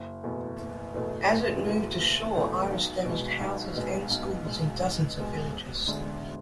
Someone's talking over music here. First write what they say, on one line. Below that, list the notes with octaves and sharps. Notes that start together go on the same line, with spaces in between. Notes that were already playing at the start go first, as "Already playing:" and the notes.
As it moved ashore, Iris damaged houses and schools in dozens of villages.
Already playing: F#1
E2 B2 A3
F#1
E2 B2 A3
F#1
E2 B2 A3
F#1
E2 B2 A3
B1
B2 G#3
B1
B2 G#3
B1
B2 G#3
B1
B2 G#3
E1
D2 D3 G#3 D4